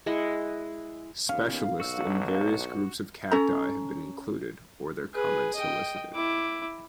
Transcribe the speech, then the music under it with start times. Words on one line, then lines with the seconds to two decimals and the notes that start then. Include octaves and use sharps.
Specialists in various groups of cacti have been included, or their comments solicited.
0.06 G#3 E4 D#5 F#5
1.29 D#2 B3 C#4 F5
1.80 B1 F#4 E6
3.31 C#4 A4 A#5
5.14 G#4 B4
5.55 D#5 G5
6.14 E4 D6